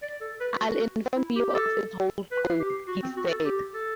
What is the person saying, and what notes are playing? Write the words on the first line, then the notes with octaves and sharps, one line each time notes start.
'I’ll inform you of its whole scope,’ he said.
D5
A4
B4
F#4
E4
G4
G4
A4
B4
G4
F#4
C4
F#4
A4
G4
A4